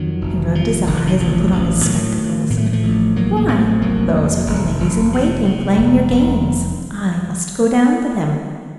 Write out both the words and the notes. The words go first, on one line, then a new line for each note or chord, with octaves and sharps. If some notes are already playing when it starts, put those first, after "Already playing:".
He rubbed his eyes and put on his spectacles. 'Why those are the ladies-in-waiting playing their games; I must go down to them.'
Already playing: F2 D#3 F#3
F1
C3 F3
F1 D#3
F3
D#3
A1 F3
A1
A2 D#3 F#3
A2
A2 A#3
A3
F#3
F3 A3
A1
A2 F#3 A#3
A#3
A1 A3 C4
F1 F#3 A#3
F2
F1
F1
C3
C3
F1
F1